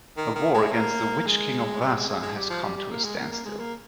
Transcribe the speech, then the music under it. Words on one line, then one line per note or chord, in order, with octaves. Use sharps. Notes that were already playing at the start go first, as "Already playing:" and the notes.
A war against the Witch-King of Vaasa has come to a standstill.
D#3
D#3
G#3
A#3
G#3
G3
G#3
G#3
G#3
G3
F3
G3
G3
A#3
G#3
A#3
A#3
G#3
A#3